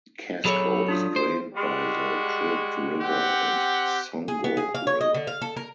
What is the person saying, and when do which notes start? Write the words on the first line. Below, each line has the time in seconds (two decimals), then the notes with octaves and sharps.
Casco is drained by the Crooked River and Songo River.
0.45 F#3 G#4 A4 C#5 B5 E6
0.88 D4 F4 D#6
1.16 C5
1.54 G3 G#3 F#4
3.00 C4 G4 F#5
4.28 G#4
4.44 B3
4.57 G#4
4.75 F5
4.87 C#5
5.01 D#5
5.14 D3
5.27 F5
5.41 A4
5.56 A#4